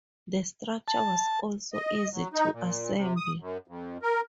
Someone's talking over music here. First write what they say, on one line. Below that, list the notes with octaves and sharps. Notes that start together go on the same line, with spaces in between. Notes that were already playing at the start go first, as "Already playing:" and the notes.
The structure was also easy to assemble.
A5
D#5
F#3
D#4
A#2
C3
D#6
F#2
F2
A#4